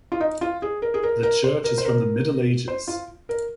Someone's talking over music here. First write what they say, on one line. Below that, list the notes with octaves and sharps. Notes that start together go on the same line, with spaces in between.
The church is from the Middle Ages.
F4
D#4
F4
G#4
A#4
G#4
A#4
A#4
C5
A#4
C5
A#4
C5
F4
A#4